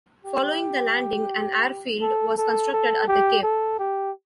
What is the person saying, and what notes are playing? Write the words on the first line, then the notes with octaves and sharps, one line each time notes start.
Following the landing, an airfield was constructed at the cape.
G4
A4
A4
A4
G4
A4
G4